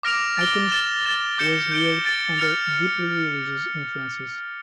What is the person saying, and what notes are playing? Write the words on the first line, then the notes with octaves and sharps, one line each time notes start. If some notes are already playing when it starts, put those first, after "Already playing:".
Aikens was reared under deeply religious influences.
D6 F6 A#6 D7 F7
A6 D7 G7
A6 E7 G7
A6 E7 G7
D6 G6 C#7 E7
G6 D7 G7
A6 D7 G7
F6 A6 C#7 F7